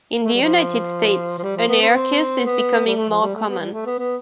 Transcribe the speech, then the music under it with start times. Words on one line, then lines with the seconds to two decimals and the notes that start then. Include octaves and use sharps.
In the United States, an air kiss is becoming more common.
0.25 A3
0.33 G3
0.41 F3
1.38 F3
1.43 G3
1.56 F3
1.68 B3
1.81 C4
1.89 B3
1.94 C4
2.46 B3
2.86 G3
2.96 A3
3.09 F3
3.22 G3
3.35 A3
3.48 B3
3.60 G3
3.72 A3
3.86 B3
3.98 B3